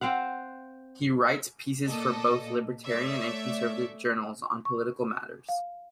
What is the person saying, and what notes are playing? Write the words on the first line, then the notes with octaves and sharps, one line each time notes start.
He writes pieces for both libertarian and conservative journals on political matters.
C4 C5 F5 F#5
A#2 A4 D#5 D6
A3 C#5 D5 E5
C#6
F5